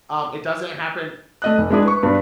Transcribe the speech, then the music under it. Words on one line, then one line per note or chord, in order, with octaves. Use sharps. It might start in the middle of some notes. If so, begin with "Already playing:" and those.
um, it doesn't happen
A3 D#5 F#6
F1
G#3 D4 E4 G#4
B4 C#6
G2 B3 D4 B4